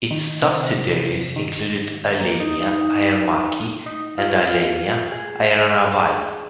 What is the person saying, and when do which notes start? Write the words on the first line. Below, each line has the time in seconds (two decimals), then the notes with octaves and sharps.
Its subsidiaries included Alenia Aermacchi and Alenia Aeronavali.
0.11 D#3
0.43 C3
1.36 D#3
2.20 A#3
2.40 D#4
2.62 D#4
3.86 D#4
4.18 F4
4.49 F4
5.12 G#4